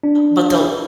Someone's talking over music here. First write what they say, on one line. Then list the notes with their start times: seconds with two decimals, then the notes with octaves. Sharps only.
but, they'll
0.03 D4